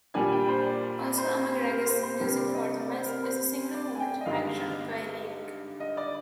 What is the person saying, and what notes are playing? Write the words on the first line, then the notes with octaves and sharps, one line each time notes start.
Also among Regis' music for the mass is a single movement, "Patrem Vilayge".
A#2 G3 D4 G#5
G5
C5
D5
C5
A#4
C5
C5
C3 G3 D4 A#4
D5
D#5
D5
C5
A#4
C5
D5
G#5
G5
D#5
G2 D3 G#3 D#4 F5
D#5
D5